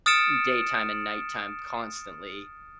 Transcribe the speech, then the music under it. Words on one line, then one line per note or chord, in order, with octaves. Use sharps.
m daytime and nighttime constantly,
D#6 F6 A6 C#7 D7 E7